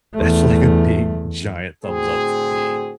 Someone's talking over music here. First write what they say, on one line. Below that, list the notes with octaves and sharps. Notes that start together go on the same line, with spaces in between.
that's, like, a big giant thumbs up for me.
E2 A3
A2 D3 C4 F#4 G#4